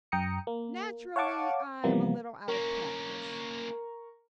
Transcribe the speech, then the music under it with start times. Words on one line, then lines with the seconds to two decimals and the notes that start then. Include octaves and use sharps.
"Naturally I'm a little out of practice."
0.12 F#2 G5 A#5 D#6 C#7
0.47 A#3
1.16 C#5 F5 F#5 A5 C#6 D6
1.84 C3 E3 F3 G3 A#3 B3
2.48 A#3 C#4 A#4 A#5 C#6